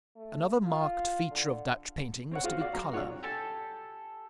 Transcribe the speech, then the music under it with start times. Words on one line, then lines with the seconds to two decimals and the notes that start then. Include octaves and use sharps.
Another marked feature of Dutch painting was to be color.
0.16 A3
0.64 F4
1.31 D3
2.31 C4 C#5 F#5
2.44 F4 F#4 F5
2.60 F#4 D5 F5
2.74 F#3 A#5
2.93 C2 D4 F4 C#5 F#5
3.23 G4 A4 G#5 A5